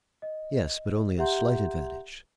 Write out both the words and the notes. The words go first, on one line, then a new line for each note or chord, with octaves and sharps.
"Yes, but only a slight advantage."
D#5
G4 E5 F#5 A#5 C6 G6